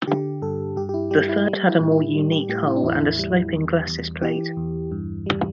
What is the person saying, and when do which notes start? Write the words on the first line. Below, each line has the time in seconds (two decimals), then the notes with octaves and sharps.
The third had a more unique hull and a sloping glacis plate.
0.07 D3 G4
0.42 G2 A4
0.76 G2 G4
0.89 G4
0.94 E4
1.11 G3 G4
1.29 E4
1.46 G3
1.69 E4
1.80 A2
1.92 E4
2.15 G3
2.32 G4
2.49 A2 G4
2.67 E4
2.76 D4
2.83 E2 E4
3.19 G3
3.53 E2
3.87 E2
4.22 E3 G4
4.57 E2
4.92 G2
5.26 G3